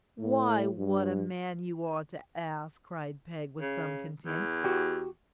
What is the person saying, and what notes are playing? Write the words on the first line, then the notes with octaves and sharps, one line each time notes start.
'Why, what a man you are to ask!' cried Peg, with some contempt.
A2
G2
C#3
E2
F#4 G4